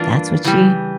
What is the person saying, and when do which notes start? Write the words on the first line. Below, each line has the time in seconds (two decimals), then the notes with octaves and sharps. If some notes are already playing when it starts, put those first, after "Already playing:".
that's what she
Already playing: G2 E3 A#3 D4 F4
0.44 C#3 E3 G3